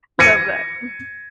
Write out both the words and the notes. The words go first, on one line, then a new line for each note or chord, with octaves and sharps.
Love that. Mhm.
G#6 A#6 C#7 D#7